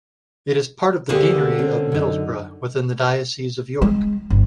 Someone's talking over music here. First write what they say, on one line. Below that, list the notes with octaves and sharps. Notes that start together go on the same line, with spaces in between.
It is part of the Deanery of Middlesbrough within the Diocese of York.
D2 D3 A#3 C4 G4 G#4
C4 C#4
F#2 D#4
G#3
G1